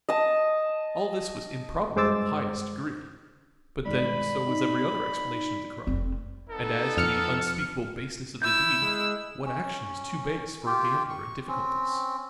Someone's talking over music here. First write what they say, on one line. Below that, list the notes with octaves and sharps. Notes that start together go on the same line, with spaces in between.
All this was improbable in the highest degree, but then so was every other explanation of the crime; and as to the unspeakable baseness of the deed, what action is too base for a gambler in difficulties?
D#5 A5
G2 G#3 C5 D6 E6 A6
G2 D#3 G#3 D5 B5
D#4
F1 C4
B3 D#4 A4
F2 F6 C#7
E4 E6 G6
G#3
C#4
F4 G4 G5
C#6
C4 C#4